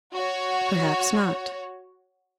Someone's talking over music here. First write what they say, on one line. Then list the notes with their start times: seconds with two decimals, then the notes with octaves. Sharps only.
"Perhaps not."
0.13 F#4 C#5